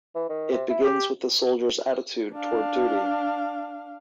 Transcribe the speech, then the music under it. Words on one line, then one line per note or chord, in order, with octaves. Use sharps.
It begins with the soldier's attitude toward duty.
E3
D#3
C3
E4
G4
D4 F5